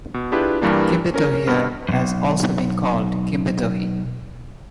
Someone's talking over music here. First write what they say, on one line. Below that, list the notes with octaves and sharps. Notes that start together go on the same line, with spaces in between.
"Kimbetohia" has also been called "Kimbetohi".
B2
D4 E4 F4 G4 G#4 B4
G2 E3 G3 A#3 D4
C#4 A#4
G2 C3 B3 F6
B1 F#2